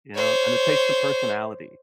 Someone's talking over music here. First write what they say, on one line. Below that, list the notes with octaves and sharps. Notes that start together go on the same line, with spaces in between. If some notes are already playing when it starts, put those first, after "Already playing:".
you know? And it takes some personality.
C5 C#5